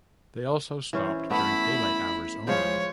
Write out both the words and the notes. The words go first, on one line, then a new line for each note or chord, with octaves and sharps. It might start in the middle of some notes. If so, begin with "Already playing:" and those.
They also stopped during daylight hours only.
E3 C#4 C5
A3 B3 E4 B5
F3 G#3 C5 C#5